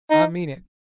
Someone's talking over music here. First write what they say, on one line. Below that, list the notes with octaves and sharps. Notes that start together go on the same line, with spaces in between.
I mean it!
D#4